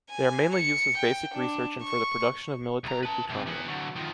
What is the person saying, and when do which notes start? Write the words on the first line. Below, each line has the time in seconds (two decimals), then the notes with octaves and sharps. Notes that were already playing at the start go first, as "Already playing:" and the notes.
They are mainly used as basic research and for the production of military plutonium.
0.10 G#5
0.55 C#7
0.97 G5
1.35 D4
1.82 C#6
2.84 C2 A#5
3.03 B4 A5
3.30 G2 C3
3.47 E3 B3
3.68 D3 F#3
3.96 D#3 F3